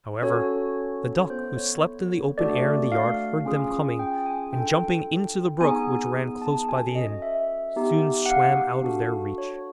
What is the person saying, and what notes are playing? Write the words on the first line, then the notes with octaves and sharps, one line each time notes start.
However, the duck, who slept in the open air in the yard, heard them coming, and jumping into the brook which ran close by the inn, soon swam out of their reach.
C#4 F#4 A4 C#5
B3 E4 A4 C5
C#5
A3 D4 F#4 A4 D5
F5
C#4 F4 G#4
G5
G#5
D4 F4 A4 G5
B3 D#4 G#4 G#5
A5
C#4 F#4 A4 G#5
D#5
E5
B3 D#4 G4
F#5
F5
D4 F#4 A4
C#5